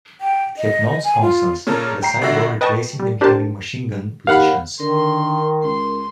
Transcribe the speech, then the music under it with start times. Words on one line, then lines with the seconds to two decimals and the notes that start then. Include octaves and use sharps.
It had no sponsons; the side doors replacing them having machine gun positions.
0.21 G5
0.58 D#5
1.04 G#5
1.22 F4
1.67 A#2 C#3 A4 A#4
2.02 G5 A#5 C7
2.22 G1 D3 F#4 E5 A#6
2.61 B4 D#5 G5 A5 C#6
3.00 G3
3.21 D4 G4 A#4 C5 A5
4.27 D#2 F5 F#5 B5
4.80 D3 D#3 A#4 C6
5.63 C#2 C6